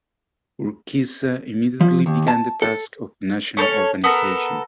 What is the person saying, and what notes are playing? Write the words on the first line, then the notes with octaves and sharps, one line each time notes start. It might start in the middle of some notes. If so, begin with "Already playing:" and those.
Urquiza immediately began the task of national organization.
F3
D#2
A5
A4
C#4 A4 C5 C#5
B3 A4 A#4